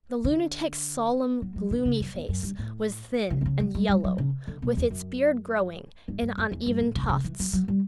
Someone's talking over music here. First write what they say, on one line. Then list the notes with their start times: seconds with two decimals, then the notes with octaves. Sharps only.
The lunatic's solemn, gloomy face was thin and yellow, with its beard growing in uneven tufts.
0.24 D3
1.42 F#3
1.56 F#3
1.71 D3
1.85 C#3
2.00 F#2
2.15 E2
2.28 F#2
2.43 G2
2.59 A2
3.30 C#3
3.41 B2
3.46 C#3
3.60 F#3
3.75 G3
3.89 G3
4.04 F#3
4.18 C#3
4.47 D3
4.62 B2
4.77 E2
4.91 F#2
6.08 G2
6.22 G2
6.37 F#2
6.52 E2
6.66 G2
6.80 A2
6.95 C#3
7.03 D3
7.09 C#3
7.24 E3
7.39 F#3
7.53 F#3
7.68 G3